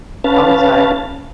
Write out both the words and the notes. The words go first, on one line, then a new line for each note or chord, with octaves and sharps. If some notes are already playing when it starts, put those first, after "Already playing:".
Oh, I'm sorry.
C#4 B4 F5 A5